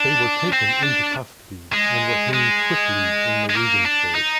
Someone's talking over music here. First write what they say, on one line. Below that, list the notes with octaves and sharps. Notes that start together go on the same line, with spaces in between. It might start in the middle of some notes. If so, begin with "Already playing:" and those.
They were taken to custody and were hanged quickly in Regensburg.
Already playing: D4
C4
D4
G#3
G#3
G#3
A#3
D4
D#4